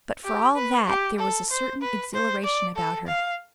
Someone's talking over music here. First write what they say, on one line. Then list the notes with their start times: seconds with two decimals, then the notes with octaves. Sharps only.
But, for all that, there was a certain exhilaration about her.
0.24 G4
0.56 B4
0.88 G4
1.19 A4
1.51 C5
1.82 B4
2.14 C5
2.44 D5
2.76 A4
3.07 F5